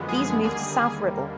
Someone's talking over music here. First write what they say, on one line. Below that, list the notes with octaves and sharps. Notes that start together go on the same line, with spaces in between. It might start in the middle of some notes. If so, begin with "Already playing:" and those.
These move to South Ribble.
Already playing: F#2 D3 F3 G#3 B3
G#4
D#2 D3 G3 A#3 G#4